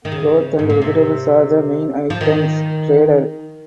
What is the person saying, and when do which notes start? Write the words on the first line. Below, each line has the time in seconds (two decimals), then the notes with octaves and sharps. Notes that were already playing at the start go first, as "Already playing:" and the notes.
Cloth and vegetables are the main items traded.
0.05 D#3
0.12 C#3
0.59 G#2
0.70 A#2
0.82 C3
2.10 F3
2.21 D#3